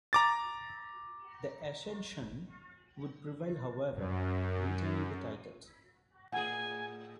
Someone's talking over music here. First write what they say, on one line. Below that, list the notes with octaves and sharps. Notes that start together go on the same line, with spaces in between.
The Ascension would prevail however, retaining the titles.
A#5 D6 A6
F#2
A2 G#4 F#5 G#5